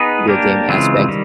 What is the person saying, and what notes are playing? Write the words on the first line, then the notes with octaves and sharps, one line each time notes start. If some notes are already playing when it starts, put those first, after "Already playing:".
video game aspect,
Already playing: B3 D#4 G#4 B4
A#3 D4 G4 A#4
C#3 E3 G#3 C4 F4
D#3 G3